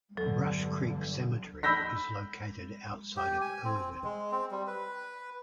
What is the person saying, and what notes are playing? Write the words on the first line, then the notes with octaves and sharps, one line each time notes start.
Brush Creek Cemetery is located outside of Irwin.
E2 G2 D3 F#3 A4
B5 E6 G6 A#6 B6
G4
G#5
C4
G#3
C4
G3
B4